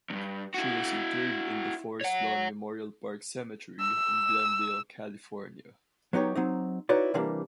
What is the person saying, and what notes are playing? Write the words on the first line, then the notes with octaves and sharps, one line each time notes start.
She was interred in the Forest Lawn Memorial Park Cemetery in Glendale, California.
E2 G2
E4 F#4
C#5 F#5
E6
F#3 B3 D#4 G4 C#5
F#3 C4 D#4
D#4 E4 F#4 B4 C#5 D5
C3 E3 G3 A#3 D4